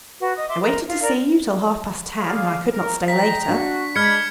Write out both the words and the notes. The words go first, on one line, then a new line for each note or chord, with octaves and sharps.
I waited to see you till half-past ten, I could not stay later.
F#4 B4
D#5 D#6
E5 C6 D6
A#4
F4
A#4 D5
G#4 D5 F5
A#4
G#3 G5 A#5 B6
D4 F#4
G#3 D4 B5 F6 G#6 C#7